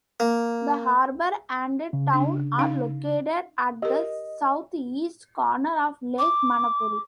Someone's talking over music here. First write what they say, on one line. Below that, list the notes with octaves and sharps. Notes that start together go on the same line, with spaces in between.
The harbour and town are located at the south-east corner of Lake Manapouri.
A#3
C#3
D4
C#4 D#4 F5
G4 A#4 D#5
D6